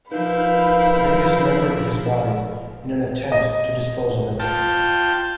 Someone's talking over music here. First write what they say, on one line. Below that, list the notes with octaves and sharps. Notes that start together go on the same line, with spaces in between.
They dismembered his body in an attempt to dispose of it.
F3 D#4 E4 A#4 B4 F5 B5 G6
D#5
F4 G5 A5